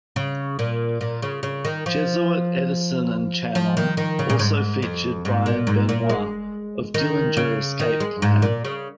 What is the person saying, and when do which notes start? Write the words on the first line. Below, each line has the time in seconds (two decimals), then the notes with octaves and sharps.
Jesuit, Edison, and Channel also featured Brian Benoit of Dillinger Escape Plan.
0.16 C#3
0.59 A#2
1.01 A#2
1.22 C#3
1.43 C#3
1.65 D#3
1.86 F3
3.55 F3
3.77 D#3
3.97 D#3
4.19 C#3
4.30 A#2
4.39 G#2
4.83 F2
5.25 G#2
5.46 A#2
5.67 G#2
5.89 A#2
6.09 G#3
6.94 D#3
7.37 C#3
7.80 D#3
8.00 G#3
8.22 G#2
8.42 A#2
8.65 C#3